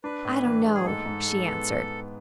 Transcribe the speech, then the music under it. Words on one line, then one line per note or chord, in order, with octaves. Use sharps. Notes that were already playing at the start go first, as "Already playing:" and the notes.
"I don't know," she answered.
D4 B4
A2
E3
G#3
G#4
G#2 A4
G#2
G#3
B3